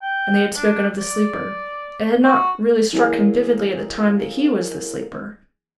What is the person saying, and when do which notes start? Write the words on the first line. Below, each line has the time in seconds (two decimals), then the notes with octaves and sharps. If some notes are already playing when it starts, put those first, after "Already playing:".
And they had spoken of the Sleeper; it had not really struck him vividly at the time that he was the Sleeper.
0.02 G5
0.56 D4
0.99 D5
2.24 F#4
2.93 E3 F#3 A#3 G#4